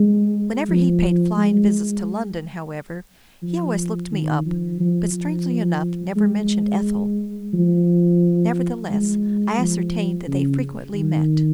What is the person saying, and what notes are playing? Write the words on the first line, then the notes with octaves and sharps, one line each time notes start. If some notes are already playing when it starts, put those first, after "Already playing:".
Whenever he paid flying visits to London, however, he always looked me up, but, strangely enough, never mentioned Ethel. Nevertheless, I ascertained that they frequently met.
Already playing: G#3
F3
G#3
F3
D#3
F3
F3
F3
G#3
F3
G#3
F3
C#3
D#3